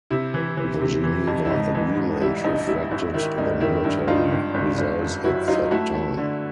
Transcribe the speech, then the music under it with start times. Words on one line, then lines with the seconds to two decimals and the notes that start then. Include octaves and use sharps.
The Geneva agreement reflected the military results at that time.
0.10 C3 E4
0.34 E3
0.57 E3
0.81 C3
1.03 E3
1.27 F2
1.45 E4
1.50 G#2 D#4
1.75 E3
1.97 G#2
2.21 G3 E4
2.44 A#1 D#4
2.67 G3 E4
2.91 G#1 E4
3.14 D#3 E4
3.37 G2 D#4
3.60 D#3 E4
3.84 G2 E4
4.07 G2 D#4 F4
4.31 G#1
4.54 G#1
4.78 G#1
5.01 F#2
5.24 F#3 E4 F#4
5.48 F#3 D#4 F4
5.71 A3 E4 F#4
5.94 A3
6.18 D3